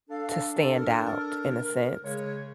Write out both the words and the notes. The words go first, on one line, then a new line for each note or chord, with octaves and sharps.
to stand out in a sense,
D4 A4 F5
A#4
C#3 G#3 C#5